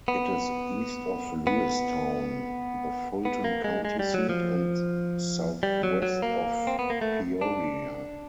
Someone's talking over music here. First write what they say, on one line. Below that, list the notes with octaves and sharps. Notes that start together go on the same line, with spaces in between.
It is east of Lewistown, the Fulton County seat, and southwest of Peoria.
B3
B3
B3
A#3
G#3
G#3
G3
F#3
F3
G3
F#3
F#3
A#3
C4
B3
A#3
A3
D4